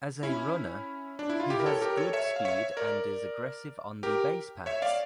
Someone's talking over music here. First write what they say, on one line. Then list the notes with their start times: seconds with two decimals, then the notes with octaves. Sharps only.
As a runner, he has good speed and is aggressive on the basepaths.
0.23 C#4 E4
1.19 D4
1.30 E4
1.40 F4
1.50 E4 G4
1.59 A#4
1.66 A4 C#5
1.81 G4 A#4
1.97 A4 C#5
2.13 C#5 E5
2.36 F5
2.45 C#5 E5
2.77 A#4 D5
4.03 G4 A#4
4.66 C#5 E5
4.82 D5 F5